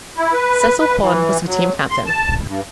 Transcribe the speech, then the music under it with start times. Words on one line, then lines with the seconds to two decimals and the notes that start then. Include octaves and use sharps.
Cecil Horne was the team captain.
0.17 E4
0.33 B4
0.79 B4
1.01 E3
1.46 F#3
1.90 C6
2.06 A5
2.47 G2